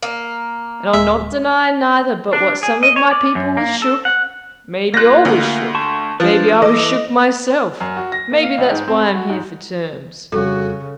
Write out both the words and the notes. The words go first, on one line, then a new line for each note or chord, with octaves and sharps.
And I'll not deny neither but what some of my people was shook--maybe all was shook; maybe I was shook myself; maybe that's why I'm here for terms.
A#3
D1 G#3 E5
D4
G#4
D#5
C#5
D5
F#2
A#3
A4
F#5
A#3 F4 F#6 A#6
D2
A5 C6 C#6
F3 D4 F4 B4
E3 A4 D#5 D6
F#2
F#4
A#6
A#3
F5
C#2
G#2
C4
B5
F#4
G#2
F2 C#3 G3 F#4 A4